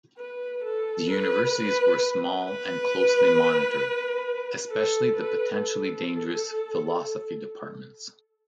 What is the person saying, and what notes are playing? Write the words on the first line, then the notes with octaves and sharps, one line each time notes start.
The universities were small and closely monitored, especially the potentially dangerous philosophy departments.
B4
A4
B4
B4
B4
A4
B4
A4